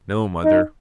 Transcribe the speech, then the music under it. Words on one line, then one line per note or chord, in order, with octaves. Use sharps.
No, mother!
D#4